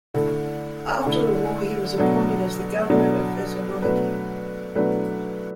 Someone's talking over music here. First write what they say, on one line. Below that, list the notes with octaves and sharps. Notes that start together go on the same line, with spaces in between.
After the war he was appointed as the governor of Thessaloniki.
D3 A3 E4 A4
D3 A3 E4 A4
B2 F#3 D4 A4
B2 F#3 D4 A4
B2 F#3 A3 D4 B4
B2 F#3 A3 D4 B4